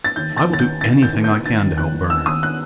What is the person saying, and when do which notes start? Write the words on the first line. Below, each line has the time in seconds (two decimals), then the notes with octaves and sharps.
I will do anything I can to help Bernard.
0.04 A6
0.16 D#2 G6
0.32 D#3
0.37 A6
0.49 D#2 A6
0.60 G6
0.65 D#2
0.81 D#3 A6
0.98 D#3 G6
1.13 D#2
1.24 D#3 G6
1.46 D#2 A6
1.62 D#3
1.78 D#2 F#6
1.94 D#2
2.10 D#3 E6
2.26 D#2 D#6
2.43 F#6